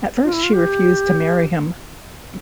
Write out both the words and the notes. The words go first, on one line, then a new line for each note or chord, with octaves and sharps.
At first she refused to marry him.
F4
E4
F4
G4